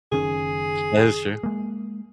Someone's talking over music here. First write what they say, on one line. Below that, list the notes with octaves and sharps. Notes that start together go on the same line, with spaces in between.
That is true.
F#1 D#3 C#4 G#4
G#3 A#3